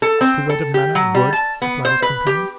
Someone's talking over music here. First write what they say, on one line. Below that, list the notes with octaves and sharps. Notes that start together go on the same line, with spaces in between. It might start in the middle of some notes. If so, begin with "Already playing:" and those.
"To wed a man of wood," replied his companion.
A4
C4
A4
G4
F#3
G3
A5
B3
C5
B4
G4